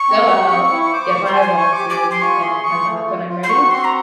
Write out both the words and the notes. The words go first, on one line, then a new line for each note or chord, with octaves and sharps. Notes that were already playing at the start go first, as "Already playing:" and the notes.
go out, get my walks in, and come back when I'm ready.
Already playing: C#6
C4
G4
C4
E4
C5 D6
C5 C#6
C6
G#5
C6
G#5 C#6
D6
G4
D6
G#5
C6
F4 C#6
G#4 C6
G#4 C#6
A3
F4
F4
C6
F#4 C#6
C4 C6
A#5